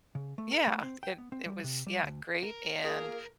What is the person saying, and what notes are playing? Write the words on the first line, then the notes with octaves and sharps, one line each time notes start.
Yeah, it it was yeah, great, and
C#3
A3
A#4
A3
C4
G5
B3
C4
G3
C3
G3
D2
A#4
A#3 F4 G#4